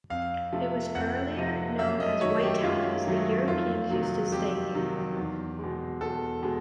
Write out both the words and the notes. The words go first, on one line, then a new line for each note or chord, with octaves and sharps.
It was earlier known as White Town, as the Europeans used to stay here.
F2 F5
C3 F3 A3
F2 F#5
C3 F3 A3
F#2 E5
D#5
D#3 F#3 A3 C#5
G4
F#2 F4
D#3 F#3 A3
F2 F4
C3 D#3 F#3
F2 G4
C3 D#3 F#3
E2
G#3
B2
E2 A4
B2 G#3